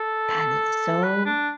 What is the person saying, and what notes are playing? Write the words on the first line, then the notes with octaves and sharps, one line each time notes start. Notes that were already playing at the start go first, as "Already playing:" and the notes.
That is so
Already playing: A4
B4
D4